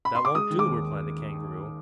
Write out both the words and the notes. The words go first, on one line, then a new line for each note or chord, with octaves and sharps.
"That won't do," replied the Kangaroo.
B5
C6
D6
G#3 D#6
D#3
D6
D#2